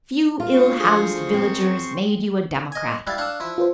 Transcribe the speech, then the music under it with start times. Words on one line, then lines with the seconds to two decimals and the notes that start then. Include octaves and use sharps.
A few ill-housed villagers made you a democrat.
0.40 F4
0.54 D2 C5 C6 C#6
0.80 F3 G#4
1.34 F#2 C4
2.72 D#5 G#5
3.07 G3 E4 F5 F#6 G#6 A6
3.18 D4 F5 C#6 E6 F#6
3.40 F3 E4
3.58 F4 B4 C5